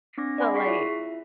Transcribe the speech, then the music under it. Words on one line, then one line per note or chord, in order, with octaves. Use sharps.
So, like
C4 D4 D6 A#6
D5 F#5 G#5 B5 C6 D6
G#4 C#6 B6 C7
E4 F4 E5